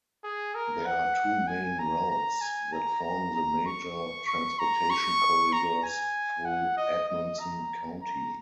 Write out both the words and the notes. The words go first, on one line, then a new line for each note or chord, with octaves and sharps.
There are two main routes that form the major transportation corridors through Edmonson County.
G#4
A#4
F#5
G#5
A#5
A#5
G#5
A#5
A#5
A#5
C#6
C#6
A#5
C#6
A#5
G#5
F#5
D#5
D#5
A#5
A#5